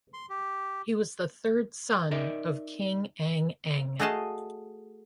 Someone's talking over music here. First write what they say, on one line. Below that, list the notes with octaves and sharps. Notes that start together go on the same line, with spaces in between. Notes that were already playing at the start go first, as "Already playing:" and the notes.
He was the third son of King Ang Eng.
C6
G4
D#4 A#4 D5 E5
A3 F#4 G#4 D#5 F5 A5